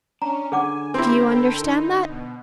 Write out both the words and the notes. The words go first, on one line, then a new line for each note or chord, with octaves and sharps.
Do you understand that?
C#4 D4 A#5
D3 G#4 F#5 G#5 D6
C4 E4 G4 G5 A#5
A4 A#4 G5
D#4
B2